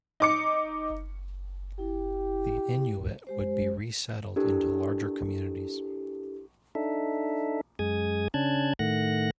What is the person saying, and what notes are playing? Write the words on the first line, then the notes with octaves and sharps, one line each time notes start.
The Inuit would be resettled into larger communities.
D#4 D6 C#7
E4 G4
G#3 G4 C5
D4 E4 G4 A4 A#4
D4 D#4 A4 E5
F#2 G#3 G#4 D#6 G#6
C#3 C#4 D4 A5 F#6 G#6
A2 D#3 A3 F#5 F#6 A#6